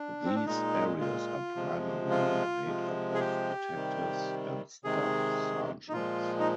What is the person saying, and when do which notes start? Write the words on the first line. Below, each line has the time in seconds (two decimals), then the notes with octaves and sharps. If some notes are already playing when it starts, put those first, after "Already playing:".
These areas are primarily made up of detectives and staff sergeants.
Already playing: D4
0.25 C4
0.35 D4
0.46 A#2 G#3 D#4
1.01 F4
1.56 C3 F3 G#3
2.10 F4
2.65 C3 F3 G#3
3.15 G#4
3.20 G4
3.74 C3 D#3 G3
4.84 C3 D#3 G#3 G#4
5.88 D#4
5.93 A#2 F3 G#3 F4
6.40 D#4